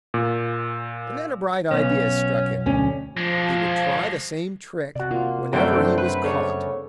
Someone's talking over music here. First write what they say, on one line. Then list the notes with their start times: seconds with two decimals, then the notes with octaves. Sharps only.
And then a bright idea struck him: he would try the same trick whenever he was caught.
0.14 A#2
1.71 B1 B3 C#4
2.66 D2 C#4
3.17 F3 G#3 D4
4.95 C3 F#4 D5
5.11 A#3 F4
5.53 F#2 D3 G3 A3 C4 G5
5.75 D4 A4 C5
5.98 B4
6.24 C#3 A4 B4 C#5 D5